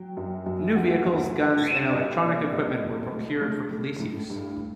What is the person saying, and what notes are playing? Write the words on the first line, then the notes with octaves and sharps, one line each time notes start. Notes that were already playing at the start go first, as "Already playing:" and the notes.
New vehicles, guns and electronic equipment were procured for police use.
Already playing: F#3 G5
F#2
F#2
D2 F#5
D2
G3
D3
D5
C2 D#5
A#2 D5
C2 D#5
C2
A3
A3
A3
A2
G2